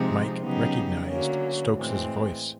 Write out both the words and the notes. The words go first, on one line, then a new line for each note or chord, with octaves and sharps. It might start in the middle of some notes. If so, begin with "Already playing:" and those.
Mike recognized Stokes's voice.
Already playing: C3 F3 G#3 C4 D#4
C#3 F#3 B3 D#4 G4
D3 F#3 A#3 C#4
A2 E3 G#3 C4